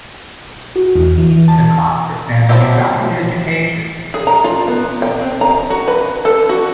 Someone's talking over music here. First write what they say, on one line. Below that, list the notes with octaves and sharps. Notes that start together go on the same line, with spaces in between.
The Coster family valued education.
F#4
E2
E3
E3
A5
F3 F#3 E4 G4
G#4
A#5
F4
B3
G5
C4
A#5
F#4
B4
A4
F#4